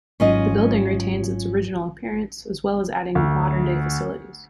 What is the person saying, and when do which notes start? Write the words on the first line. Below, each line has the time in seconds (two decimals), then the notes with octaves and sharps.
The building retains its original appearance as well as adding modern-day facilities.
0.20 G#1 G#2 F#3 C#4 F4 D#5
3.15 D2